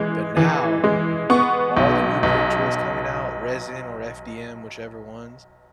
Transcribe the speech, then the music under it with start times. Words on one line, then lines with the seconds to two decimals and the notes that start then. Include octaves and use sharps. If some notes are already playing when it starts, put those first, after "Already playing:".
but, now, like, all the new printers coming out, resin or FDM, whichever ones,
Already playing: E3 G#3
0.37 E3
0.84 G#3
1.30 B3 C#6
1.77 B1
2.23 B1